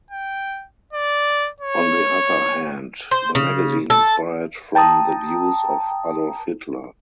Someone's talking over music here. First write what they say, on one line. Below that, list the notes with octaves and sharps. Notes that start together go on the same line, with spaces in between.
On the other hand, the magazine inspired from the views of Adolf Hitler.
G5
D5
C#5
C5
C#3
A4
G5 A5 A#5 D#6